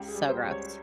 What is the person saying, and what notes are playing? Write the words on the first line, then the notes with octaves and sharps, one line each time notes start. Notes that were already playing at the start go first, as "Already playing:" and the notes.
so gross.
Already playing: C#2 G4
G#4
G3
C5
C#2
C#5